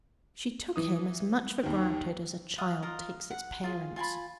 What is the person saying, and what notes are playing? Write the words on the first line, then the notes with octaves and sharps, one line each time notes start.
She took him as much for granted as a child takes its parents.
E3 D#6
D#2 D#3
F4 F5 F#5 D#6
F4 A#4 D#5
F#5
F4 G#4
F4 G#5 A5 B5